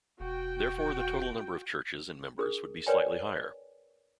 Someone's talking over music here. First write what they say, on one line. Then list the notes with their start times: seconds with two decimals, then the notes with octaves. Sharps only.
Therefore, the total number of churches and members would be slightly higher.
0.20 E1 F#4 G5
2.38 D4 G#4 A#4 D#6
2.87 A#4 B4 C#5 D5 G5 G#5